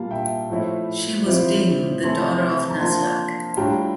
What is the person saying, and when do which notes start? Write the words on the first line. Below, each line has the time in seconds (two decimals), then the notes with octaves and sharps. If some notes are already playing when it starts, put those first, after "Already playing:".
She was Ding, the daughter of Naslag.
Already playing: A#2 G3 A#3 F4 F5 A5
0.11 E5 G5
0.50 A2 F3 A3 E4
1.26 F3 C4 E4
2.03 C3 E3 A3 C4 E4 A5 C6
2.70 A#5
2.80 F3 A#3 D4 F4 A5 C6
3.57 A2 G3 D4 F4 G5 A#5